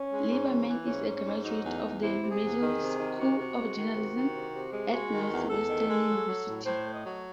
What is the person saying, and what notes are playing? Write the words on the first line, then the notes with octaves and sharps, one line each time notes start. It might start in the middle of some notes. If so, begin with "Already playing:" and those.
Leiberman is a graduate of the Medill School of Journalism at Northwestern University.
Already playing: C#4
G#3
G#2
E3
E3
G#2 C#4
G#2
C#4
G#2
F#3 D#4
E2
E2
C3 E4
C3
G#4
E2
D#3
C3
D#3
C3 F#4
C3
G#3
D#3
C3
D#3
C3
C3
G#3
G#3 F#4
D#3
E2
E2 A4
D#3
G#3
F#3
F#3
A2
A2 C5
A3
D#5
F#3